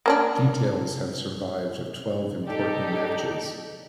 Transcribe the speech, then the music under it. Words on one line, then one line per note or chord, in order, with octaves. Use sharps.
Details have survived of twelve important matches.
A#3 C#4 D4
D#4 G4 A4 D5